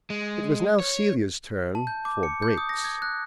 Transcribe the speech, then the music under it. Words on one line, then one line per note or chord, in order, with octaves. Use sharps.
It was now Celia's turn for "breaks."
G#3
C#5
A5
G6
D6
C#7
G6
D#6
A#6
G#6
F#6